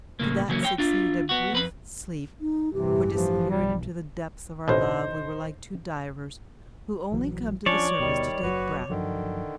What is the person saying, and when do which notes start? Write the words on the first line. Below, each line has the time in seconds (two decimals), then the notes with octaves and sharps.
To that succeeded a brief sleep, for, disappearing into the depths of our love, we were like two divers who only come to the surface to take breath.
0.20 A2 C#3 A#3
0.48 C#3 E3 F#3 A#3 C#4
0.63 C#5 G5
0.78 D4 F4
1.29 B3 F#4
1.53 F2 B4 B5
2.41 D#4
2.73 A1 G2 C3 E3 G4
3.15 F3
3.50 B1 G3
4.68 A1 B2 D#4 C5
7.12 A#1 E3 F#3
7.66 F3 C#4 D4 C#5 D5
8.00 D2 B2 D#3 G3
8.43 F#1 F#3 F#4 B4
8.90 G2 D3 D#3 F3 F#3